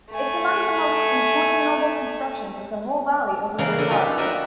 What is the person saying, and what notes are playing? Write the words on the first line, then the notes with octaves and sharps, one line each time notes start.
It's among the most important noble constructions in the whole valley of river Taro.
A3 G#5
C#3 E3 G3 A#3
D3
D#4 F4 G4 A4 B4 D#5
D4 F#4 A#4 D#5 E5